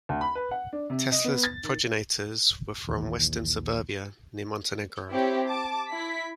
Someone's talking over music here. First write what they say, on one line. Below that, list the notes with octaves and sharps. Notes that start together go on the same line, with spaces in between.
Tesla's progenitors were from western Serbia, near Montenegro.
D2
B5
B4
F#5
D4
C3
D#5
B3
A6
D#3
A#1 D#2 E3
C4 E4 G4 C#5
A5 D6
E4 B6